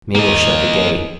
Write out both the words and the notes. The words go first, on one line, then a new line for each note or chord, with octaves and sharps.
Mabel shut the gate.
A#3 D#5